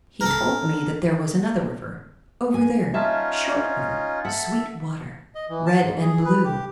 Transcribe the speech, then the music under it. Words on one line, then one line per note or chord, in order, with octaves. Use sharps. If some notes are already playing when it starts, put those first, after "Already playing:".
He told me that there was another river--"over there, short river, sweet water, red and blue."
A4 A#4
G#5
C#4 D#4 F4 E5 A5
A4 E5 F#5
D#5
E3
A5
G#2
G#4
B4
G4